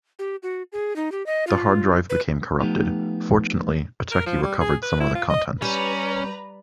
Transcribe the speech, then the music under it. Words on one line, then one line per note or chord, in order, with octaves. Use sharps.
The hard drive became corrupted, fortunately, a techie recovered some of the contents.
G4
F#4
G#4
D#4
G4
D#5
F4
B4
F3 A3 B3 D#4 G4
A#4
F3
G3
G#4
B4
E4
F4
D#5
G3 C#4 B4 A#5